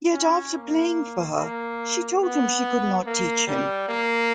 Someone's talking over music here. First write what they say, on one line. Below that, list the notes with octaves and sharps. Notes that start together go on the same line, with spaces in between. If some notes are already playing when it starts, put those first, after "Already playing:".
Yet after playing for her, she told him she could not teach him.
C#4
A#3
A#3
B3
A#3
G3
A#3